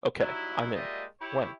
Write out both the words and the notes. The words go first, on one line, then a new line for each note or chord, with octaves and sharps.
Ok, I’m in. When?
F#3 G3 D#4 E4
G3 G#3 A#3 F4 D#5 E5
E4 G4 C#5